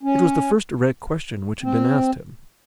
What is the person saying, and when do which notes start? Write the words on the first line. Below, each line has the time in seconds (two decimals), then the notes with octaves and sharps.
It was the first direct question which had been asked him.
0.03 C#4
1.63 C4